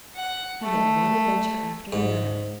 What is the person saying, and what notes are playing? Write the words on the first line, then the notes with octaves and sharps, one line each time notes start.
He had one adventure after another.
F#5
A3
G#2